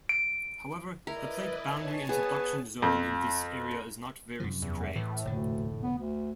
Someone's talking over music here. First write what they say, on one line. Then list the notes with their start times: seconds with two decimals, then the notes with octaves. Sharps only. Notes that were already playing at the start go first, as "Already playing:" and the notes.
However, the plate boundary and subduction zone in this area is not very straight.
0.09 D7
1.07 E4 A#4 B4 D5 D#5
1.59 C#5 G#5 A5
2.09 B3 G#4 B4
2.82 F2
4.40 F#2 C3 F3
4.62 E2
4.96 A2 E3
5.25 F1 D2 A#2 D3
5.82 B3
5.98 D2